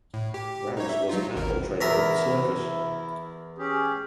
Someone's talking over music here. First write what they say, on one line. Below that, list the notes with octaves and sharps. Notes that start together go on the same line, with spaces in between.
Ramos was an animal trainer with the circus.
A2
G4
D#4 C#5
E5
F#3 D#4 F4
G#1 D#2 A#4
E2 E4 A#4 E5
C#4 G4 G#4